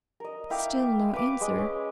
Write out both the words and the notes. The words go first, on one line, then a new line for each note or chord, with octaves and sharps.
Still no answer.
A#4 D#5
E4 F5 G5 D6
B4 F5 D6
G#3
C#4